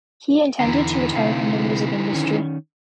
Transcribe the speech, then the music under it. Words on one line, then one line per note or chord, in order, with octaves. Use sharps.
He intended to retire from the music industry.
E2 D3 E3 A#5
C3 A3 F5
D#3 C#4